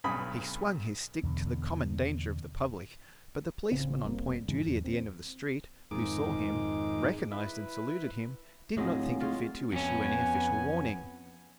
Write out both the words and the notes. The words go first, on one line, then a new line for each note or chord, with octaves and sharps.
He swung his stick to the common danger of the public, but the policeman on point duty at the end of the street, who saw him, recognized and saluted him, did not think it fit to issue any official warning.
B1 G2 G#5 B5 D#6
E2 B2 D3
A1 C#3 C4
F1 G3 A#3 C4
G#2 D3 E3 G#3
E2
C4
F2 G#2 D#3 G#3 D#4 D6
E4 B4
A2 F#3 G#3 A3 C4
G#3 C#4 F4
F2 B3 C#4 G#5